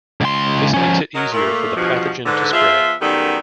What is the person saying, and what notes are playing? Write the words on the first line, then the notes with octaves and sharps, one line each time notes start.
This makes it easier for the pathogen to spread.
C#2 C6
F3 C#4
F#3 A#4 D#5
A#2 A3 A#3
E2 G2 B2 F3
G#2 D3 B4
F3 B3 F4 G#4 E5
F#2 D#3 G3 B3 G4 A4